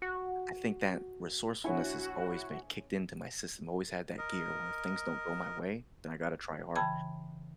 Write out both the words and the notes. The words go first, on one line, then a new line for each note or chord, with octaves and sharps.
I think that resourcefulness has always been kicked into my system, always had that gear where if things don't go my way, then I gotta try hard,
F#4
A#1 E4 F#4 C#5 G#5
A#4 D#5
C#3 E3 G5 A5 B5 G#6